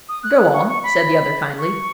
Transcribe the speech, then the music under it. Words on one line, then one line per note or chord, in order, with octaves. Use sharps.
"Go on!" said the other kindly.
D#6
F#6
F#6
C#6
C#6
B5
C#6